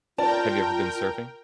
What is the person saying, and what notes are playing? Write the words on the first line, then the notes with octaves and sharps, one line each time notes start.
Have you ever been surfing?
F4 A#4 D5 G5 A5